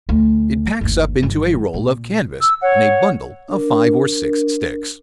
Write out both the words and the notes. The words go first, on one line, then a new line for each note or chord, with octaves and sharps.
It packs up into a roll of canvas and a bundle of five or six sticks.
D2
G1 D#2
G1 E3
A#2
E6
C#5 F#5
D4 A#4